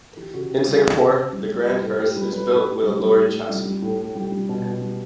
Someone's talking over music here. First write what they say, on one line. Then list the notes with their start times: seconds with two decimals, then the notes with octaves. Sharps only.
In Singapore, the grand hearse is built with a lorry chassis.
0.17 E3 G4
0.34 C#3 F#4
0.50 C#3 G4
0.67 G3 F#4
0.83 E3 G4
1.01 C#3
1.17 C#3
1.33 G3
1.49 G3 G4
1.66 G3 G4
1.83 A2 A4
2.00 A2 G4
2.16 G3 B4
2.32 G3 B4
2.50 A2 B4
2.66 A2 G4
2.83 G3
3.00 G3
3.15 A2
3.32 A2
3.49 G3
3.65 G3
3.82 A2
3.99 A2
4.15 G3 G4
4.32 G3
4.49 B2
4.65 B2
4.81 G3